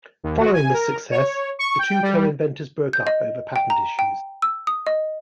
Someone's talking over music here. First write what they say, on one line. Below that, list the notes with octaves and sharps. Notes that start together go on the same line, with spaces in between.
Following this success, the two co-inventors broke up over patent issues.
D#2
F#4
G#5
A#4
C#5
C#6
G5
G3
G6
D#5
G5
A#5
G5
E6
D#6
D#5